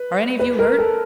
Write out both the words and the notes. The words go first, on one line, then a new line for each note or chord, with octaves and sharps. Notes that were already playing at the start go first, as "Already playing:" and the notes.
"Are any of you hurt?"
Already playing: B4
B4
A#4
A4